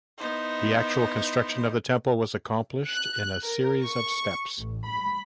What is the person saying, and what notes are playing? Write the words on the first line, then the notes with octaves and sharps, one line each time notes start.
The actual construction of the temple was accomplished in a series of steps.
B3 D#4 E4 C5
F#6
A#4
C#6
A1
B5